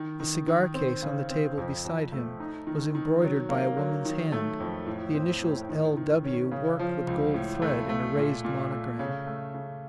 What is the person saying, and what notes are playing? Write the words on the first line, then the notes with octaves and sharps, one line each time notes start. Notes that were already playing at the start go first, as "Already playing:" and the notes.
The cigar-case on the table beside him was embroidered by a woman's hand, the initials L. W. worked with gold thread in a raised monogram.
Already playing: D#3
D#3
D#3
C4
C#3
C4
F2
F2
A3
D#4
D#3
D#3
F#3
A#3
F#3
D#3
A3
F2
A2
C4
A2
D#3
D#3
C#4
C#3
F3
C#2
A2
A3
A3
A#2
A#2
A3
C#3
A3
C#3